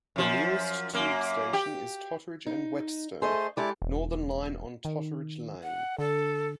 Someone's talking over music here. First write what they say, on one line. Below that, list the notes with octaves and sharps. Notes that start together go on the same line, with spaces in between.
The nearest tube station is Totteridge and Whetstone - Northern line on Totteridge Lane.
F#2 F3
F#2 A#3
G4
D#4
A3 G#4 A4 C5 D#5 C6
G#3 E4 G4 A4 D5 D6
E1
D#3
F#5
D3 A4